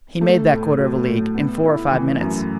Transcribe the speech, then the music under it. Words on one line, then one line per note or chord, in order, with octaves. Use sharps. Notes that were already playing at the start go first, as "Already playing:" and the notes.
He made that quarter of a league in four or five minutes.
A3
A2
F#3
A2
B3
E4
E3
F#2